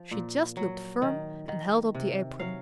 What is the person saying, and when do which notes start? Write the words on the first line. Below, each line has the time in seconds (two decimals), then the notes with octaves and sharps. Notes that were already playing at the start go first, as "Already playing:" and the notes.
She just looked firm and held up the apron.
Already playing: F3
0.11 A#2
0.57 F#3
1.02 D#3
1.48 D#3
1.95 C3
2.40 F#3 F5